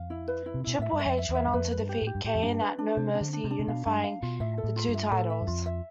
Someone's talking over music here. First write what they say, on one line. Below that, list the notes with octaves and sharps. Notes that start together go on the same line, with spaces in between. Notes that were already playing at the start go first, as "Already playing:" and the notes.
Triple H went on to defeat Kane at No Mercy, unifying the two titles.
Already playing: F2 F5
E4
B4
E4
C3
B2 E4
A2 E5
G2
E5
F2
E5
E2
E5
G2
F2 B4
B4
G2
G4
A2 G4
G2
A2 G4
F2
G2 D4
B4
D4
C3 C5
D4
D3
D4
C3
D4
C3
B2 F5
G2 D4
F5
B2 F4
A2 E5
A4
A2
F4
G2
E5
A2 A4
E5
G2
F2 F4
E5